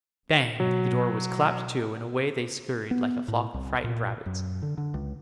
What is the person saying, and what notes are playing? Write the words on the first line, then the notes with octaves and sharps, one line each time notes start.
Bang! the door was clapped to and away they scurried like a flock of frightened rabbits.
B2 F#3
B3
A2
C2
A#2
F#2
D3
D3
C#2